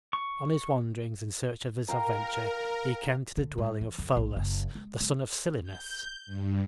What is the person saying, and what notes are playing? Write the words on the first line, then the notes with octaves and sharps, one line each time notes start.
On his wanderings in search of this adventure he came to the dwelling of Pholus, the son of Silenus.
C#6
A#4 F5 G5 A#5
D3
G#2
E3
F2
A#1
F#1
G#3
G#3
G6
G2